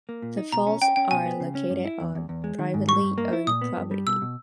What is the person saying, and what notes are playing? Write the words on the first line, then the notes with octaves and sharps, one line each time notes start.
The falls are located on privately owned property.
A#3
A#2
D#4
B2 A#5
C#4
C#4 G5
C#4 G5
B2 G#5
B3
C#3
C#4
G2
E4
E2
E2
E2
G#3
D#3
G#2
G3 C#6
G2
A#3
E4
A#2 D#6
B3
G2
G3
B2 E6
B2